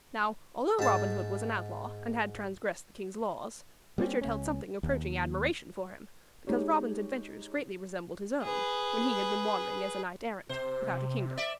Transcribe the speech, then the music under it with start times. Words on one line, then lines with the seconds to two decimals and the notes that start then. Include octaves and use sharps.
Now although Robin Hood was an outlaw and had transgressed the King's laws, Richard held something approaching admiration for him, because Robin's adventures greatly resembled his own, when he had been wandering as a knight errant, without a kingdom.
0.79 G#2 A5
3.98 G3 A#3 C4 C#4
4.21 C#2 C#4
4.83 D#2
6.47 G#3 D#4 G4 C#5
8.42 G#4 B4
10.49 C3 C5
11.37 D5 E5